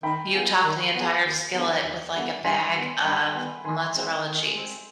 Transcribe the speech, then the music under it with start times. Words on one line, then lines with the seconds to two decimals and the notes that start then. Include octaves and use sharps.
you top the entire skillet with like a bag of mozzarella cheese,
0.03 D#3 G5 B5
0.34 B3 F4 G#4
0.64 D#3
0.94 B3 F4 G#4
1.24 D#2
1.54 D3 G3 B3
1.84 D#2
2.14 D3 G3 B3
2.44 G2 G#5 C6
2.75 D#3 G3 B3
3.04 G2 G5 B5
3.35 D#3 G3 B3
3.65 D#3 G#5 C6
3.94 G#3 C4
4.26 D#3
4.55 G#3 C4